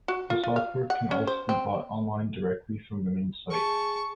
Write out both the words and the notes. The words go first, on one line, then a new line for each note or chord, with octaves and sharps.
The software can also be bought online directly from the main site.
F#4
F4
F4
F5
F#5
C#4
C5
C4
G#4 A5 C#6